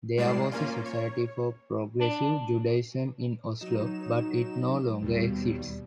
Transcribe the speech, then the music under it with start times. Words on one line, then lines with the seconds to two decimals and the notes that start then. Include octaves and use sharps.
There was a Society for Progressive Judaism in Oslo, but it no longer exists.
0.18 A2 G3 G#3 D5 C7 E7
0.52 A#3 C#4 F4
0.86 C#5
2.01 D4
3.60 F#3 D#4 E7
5.02 D#2 B2 G3